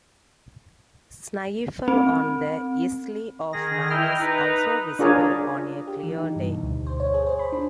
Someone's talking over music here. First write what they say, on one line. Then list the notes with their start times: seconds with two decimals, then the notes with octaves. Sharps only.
Snaefell on The Isle of Man is also visible on a clear day.
1.88 C4
3.53 D#3 G#4 A#6
3.90 E4 D#5 G5 F6
4.20 D#4 B4 A#5
4.99 D4 F4 G#4 A#4 C#5 D5
5.87 G4
6.03 E3
6.18 D#4
6.36 G2
6.49 B2
6.63 D2
6.87 C5
7.00 C#5
7.14 G#4
7.26 C5
7.39 B5
7.52 D4